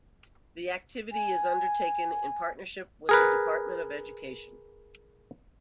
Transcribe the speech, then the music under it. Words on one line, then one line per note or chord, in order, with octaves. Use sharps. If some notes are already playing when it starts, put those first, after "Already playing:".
The activity is undertaken in partnership with the Department of Education.
G#5
G#4 A#4 B4